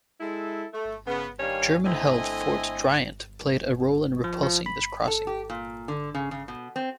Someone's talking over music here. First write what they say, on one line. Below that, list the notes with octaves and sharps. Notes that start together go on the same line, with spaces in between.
German-held Fort Driant played a role in repulsing this crossing.
G#3 E4 A4
A3
C#3 B3
G2 D#3 G3 C#5 F5 G#5
D3 A3 C4 E4 D#5 G#5
F3
F3
B5
A4
G4
A#2
D3
C#3
C#3
B2
C4